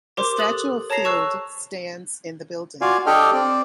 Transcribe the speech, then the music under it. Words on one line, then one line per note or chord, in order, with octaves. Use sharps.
A statue of Field stands in the building.
G4 A#4 C5 C6 D6
G4 A4 D#6 F#6 A6 F#7
C#5 A5 A#5 A#6 C7 F7
A5 C#6 E6 F#6
F4 F#4 D5 F5 G#5
D4 G4 A4 D#5 G5 F6
C4 D5